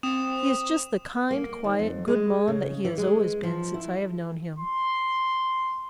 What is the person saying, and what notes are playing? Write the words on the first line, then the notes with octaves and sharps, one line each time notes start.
He is just the kind, quiet good mon that he has always been since I have known him.
C4 D#6 E7
A#3
D#2
F2
G#3
C#3
E3
G#3
F3
E4
C6